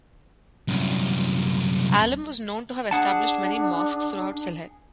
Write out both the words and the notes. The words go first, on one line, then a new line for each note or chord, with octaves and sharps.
Alam was known to have established many mosques throughout Sylhet.
C2 F#2
D4 G#4 F#5 A5